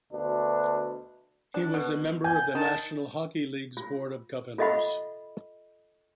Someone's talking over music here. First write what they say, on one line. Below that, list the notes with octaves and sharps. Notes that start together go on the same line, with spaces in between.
He was a member of the National Hockey League's Board of Governors.
D2 B2 D4
D4
B2
G#5 G6
D#3 A5
F4
F4 A4 D#5 E5 F#5 B5